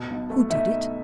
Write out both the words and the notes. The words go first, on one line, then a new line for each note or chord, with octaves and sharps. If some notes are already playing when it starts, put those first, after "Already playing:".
Who did it?
Already playing: B2
B1
A3
D#4 E5